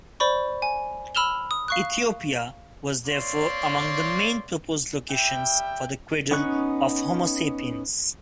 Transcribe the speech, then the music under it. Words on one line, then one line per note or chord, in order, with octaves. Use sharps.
Ethiopia was therefore among the main proposed locations for the cradle of "Homo sapiens".
C5 D5 B5 C#6
G#5
B5 E6 F6 E7 F7 G7
D#6
F5 C#6 F#6
A#3 C4 C#5 D5 C6
G3 E5 G5
B3 C#4 D#4 C#6 F#6